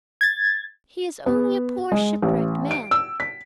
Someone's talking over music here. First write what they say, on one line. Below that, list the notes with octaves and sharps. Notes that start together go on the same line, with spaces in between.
He is only a poor shipwrecked man.
G#6 A6
B3
G#3
A1
D7
E6
B6